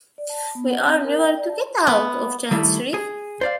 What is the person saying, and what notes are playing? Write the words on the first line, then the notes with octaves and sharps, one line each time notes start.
We are never to get out of Chancery!
D5
A5
B3
F#5
C4
A#4
G5
D5
A5
B3
D#3 G3 A3 E4
G#4
C5 D5 F5